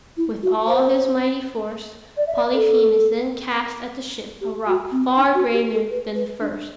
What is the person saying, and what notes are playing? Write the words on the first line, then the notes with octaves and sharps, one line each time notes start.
With all his mighty force Polyphemus then cast at the ship a rock far greater than the first.
E4
F#4
C5
D5
E5
D5
A4
G4
F#4
C4
D4
F#4
G4
A4
B4
B4
D4